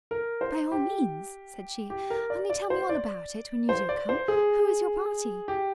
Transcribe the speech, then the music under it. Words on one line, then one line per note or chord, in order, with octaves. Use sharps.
"By all means," said she; "only tell me all about it, when you do come. Who is your party?"
A#4
C5
G4
G4
A#4
D5
D5
C5
D5
C5
D5
C5
G#4
G4